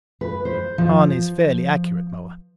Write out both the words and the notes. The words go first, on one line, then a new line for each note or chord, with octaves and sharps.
"Hahn is fairly accurate, Moa."
B4
C5
F3